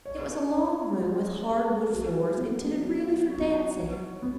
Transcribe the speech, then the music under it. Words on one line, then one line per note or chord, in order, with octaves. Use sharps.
It was a long room with hard wood floor, intended really for dancing.
C#5
C#4
G#3
G#4
F#3
B3
F#3
F#4
C#5
B3